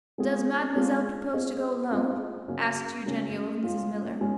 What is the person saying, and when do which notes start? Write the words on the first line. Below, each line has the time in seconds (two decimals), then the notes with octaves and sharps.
"Does mademoiselle propose to go alone?" asked Eugenio of Mrs. Miller.
0.18 G#3 C4 F4 G#4
0.76 G#3 C4 F4 G#4
1.33 C4 F4 G#4 C5 D#5
1.91 C4 F4 G#4 C5 D#5
2.48 C#3 F#3 A#3 C#4
3.06 C#3 F#3 A#3 C#4
3.63 G#3 C#4 F4
4.21 G#3 C#4